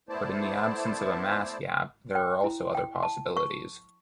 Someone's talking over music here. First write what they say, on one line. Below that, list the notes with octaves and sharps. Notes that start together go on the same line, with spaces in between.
But in the absence of a mass gap, there are also other possibilities.
A3 B3 E4 C5 D5 A5
G5
E4
G5
A5
C#6